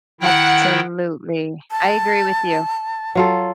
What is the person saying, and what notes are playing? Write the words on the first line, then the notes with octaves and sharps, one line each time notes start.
Absolutely. I agree with you.
D#3 E4 F#5 G5
A5
F#3 F4 A4